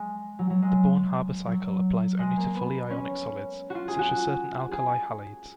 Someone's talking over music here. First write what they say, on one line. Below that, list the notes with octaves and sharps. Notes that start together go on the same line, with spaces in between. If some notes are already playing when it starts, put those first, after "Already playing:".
The Born-Haber cycle applies only to fully ionic solids such as certain alkali halides.
Already playing: G#3
F#3
F#3
G#3
F#3
G#3
A#3
B3
C#4
F4 F#4
G#4
F#4
G#4